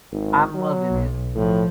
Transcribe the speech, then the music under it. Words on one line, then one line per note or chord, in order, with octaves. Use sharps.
I'm loving it.
G#1
F#3
B1
A2 F3